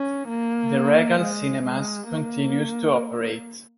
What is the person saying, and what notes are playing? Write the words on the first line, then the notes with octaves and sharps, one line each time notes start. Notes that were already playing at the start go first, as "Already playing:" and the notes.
The Regal Cinemas continues to operate.
Already playing: C#4
A#3
G#3
G#3
A#3